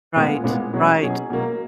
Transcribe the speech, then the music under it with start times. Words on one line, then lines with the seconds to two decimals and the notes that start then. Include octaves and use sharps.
Right, right.
0.16 A#2 G#3 B3 F4
0.44 A#2 G#3 B3 F4
0.73 B2 F#3 C#4 G#4
1.02 B2 F#3 C#4 G#4
1.30 B2 F#3 A#3